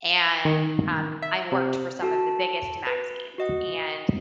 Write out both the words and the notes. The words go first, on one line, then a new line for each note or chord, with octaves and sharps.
and, um, I worked for some of the biggest magazines. And
D#3
E5
C3
F#4 A4 A5
B4
F#4 D#5 F#5